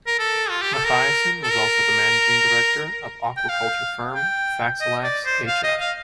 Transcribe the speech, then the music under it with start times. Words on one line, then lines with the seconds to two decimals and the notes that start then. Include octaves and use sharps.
Mathiesen was also the managing director of the aquaculture firm Faxalax hf.
0.07 A#4
0.19 A4
0.50 F4
0.61 G4
0.73 A4
0.85 A#4
1.43 A4
1.51 A#4
3.37 G5
3.49 F5
4.15 G5
4.81 D#5
5.03 D5
5.25 C5
5.47 F5
5.63 D#5
5.80 F5